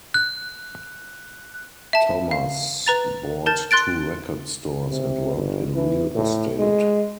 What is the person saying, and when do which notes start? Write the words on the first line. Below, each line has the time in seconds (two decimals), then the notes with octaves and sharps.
Thomas bought two record stores and worked in real estate.
0.14 F#6
1.93 E5 A5
2.31 F5
2.86 B4 A#5 A6
3.46 A#4 A5 G6 A6 E7
3.71 C6 F#6 A6 D7
4.91 C3
5.35 G1
5.75 E3
6.15 A2
6.59 G#3